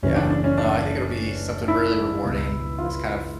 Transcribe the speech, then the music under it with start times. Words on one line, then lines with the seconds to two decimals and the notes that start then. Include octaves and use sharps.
Yeah. No, I think it'll be something really rewarding, and that's kind of
0.03 F#1 F#2 C#3 E3 C#4
0.16 D4
0.30 D4
0.44 C#4
0.58 D4
1.68 E4
2.24 C#2 B2
2.78 F4